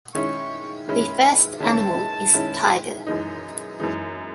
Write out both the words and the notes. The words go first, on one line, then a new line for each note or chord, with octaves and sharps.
The first animal is Tiger.
D#3 G#3 C#4 E4 C#6
D#3 G#3 C#4 E4 B5
D#3 G#3 C#4 E4 A5
D#3 G#3 C#4 E4
F#2 E3 G#3 D#4
F#2 E3 G#3 D#4